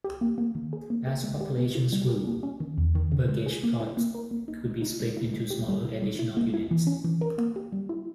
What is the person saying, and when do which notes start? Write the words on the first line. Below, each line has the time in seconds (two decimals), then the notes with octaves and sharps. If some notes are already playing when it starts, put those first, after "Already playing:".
As populations grew, "burgage plots" could be split into smaller additional units.
0.04 G4
0.21 A#3
0.38 A#3
0.55 D#3
0.73 G#4
0.90 A#3
1.07 G#4
1.24 G#3
1.41 G4
1.58 B3
1.75 E4
1.93 G3
2.09 G4
2.27 A#3
2.43 C#4
2.60 D#3
2.78 E2
2.95 D#3
3.12 C#3
3.28 G#3
3.46 G#4
3.63 A#3
3.81 E4
3.97 A#3
4.15 A#4
4.31 A#3
4.48 D#4
4.65 G#3
4.82 D#4
5.00 G#3
5.17 E4
5.34 G#3
5.50 G4
5.68 G3
5.85 E4
6.02 G3
6.19 E4
6.37 A#3
6.54 E4
6.71 E3
6.87 C#4
7.04 E3
7.21 A#4
7.38 A#3
7.56 G4
7.72 G3
7.89 E4